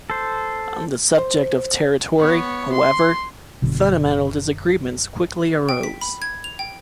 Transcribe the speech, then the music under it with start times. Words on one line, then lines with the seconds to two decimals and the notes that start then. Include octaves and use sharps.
On the subject of territory, however, fundamental disagreements quickly arose.
0.10 A4 C5
1.18 C5
2.19 B3 C#5
2.72 C6
3.62 F#1 B2 D3
5.69 G5
5.83 B6
6.01 B5
6.22 G#6
6.44 F7
6.59 G5